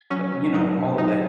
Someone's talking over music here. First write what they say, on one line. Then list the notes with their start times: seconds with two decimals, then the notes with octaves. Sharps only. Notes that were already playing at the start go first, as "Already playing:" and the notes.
But, you know, all of that
0.10 F#3 C#4
0.32 F#3
0.54 F#3 D#4
0.76 B2
0.98 F#3 D#4